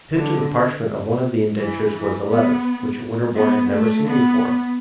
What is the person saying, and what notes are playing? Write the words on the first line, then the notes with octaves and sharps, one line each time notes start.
Pinned to the parchment of one of the indentures was a letter, which Winterborne had never seen before.
D3
E3
E3
B3
B3
A3
B3